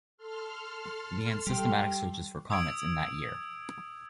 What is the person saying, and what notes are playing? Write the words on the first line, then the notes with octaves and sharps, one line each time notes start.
He began systematic searches for comets in that year.
A4 C6 F6
G3 G4
D#6 E6 G#6 D7